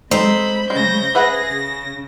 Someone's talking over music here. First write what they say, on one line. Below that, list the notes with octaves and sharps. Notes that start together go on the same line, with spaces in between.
Mhm, mhm.
G#3 C4 D#4 A4 C5 B5
C#3 G#3 C#4 G6 A#6
G#4 B4 E5 F#5 A#6
C#3